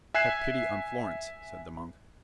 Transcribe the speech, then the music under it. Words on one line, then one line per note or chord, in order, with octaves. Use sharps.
"Have pity on Florence," said the monk.
E5 G#5 F#6 G#6 C7 E7